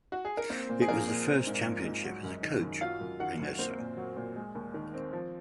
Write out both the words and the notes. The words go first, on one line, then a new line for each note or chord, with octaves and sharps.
It was the first championship as a coach Reinoso.
F#4
G#4
A#4
A#3 C4 C5
A#2
G#4
F3 A#3 A#4
A#2
C4
G#2
F3
G#2
F#3
F#2
D#3
F#2
F#3 F4 F5
F#2
D#3 F#4 F#5
F#2
A#3 C4 C5
A#2
F#3
A#2
G#3
D#2
D#3
C4
F3